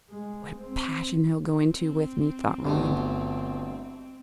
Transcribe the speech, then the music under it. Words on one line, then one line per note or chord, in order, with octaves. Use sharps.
"What a passion he'll go into with me!" thought Roland.
G#3
C4
C4
G1 G2 B2 A3